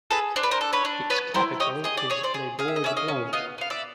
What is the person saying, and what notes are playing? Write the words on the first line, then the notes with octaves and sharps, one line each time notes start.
Its capital is Les Borges Blanques.
G#4 A4 B4
D4 C5
B4
A#4 C5
A4
B4 C#5
D4
B3 B4 C#5
E4 A#4 C5
G4 C#5 D#5
G#4 D#5
D5
G#4 C#5
C5 D5
G#4
G#4 F5
E5
D#5
C#4 D5 E5
D#5 F5
C#4
B3 D#5 F5
B3 F5
D5 E5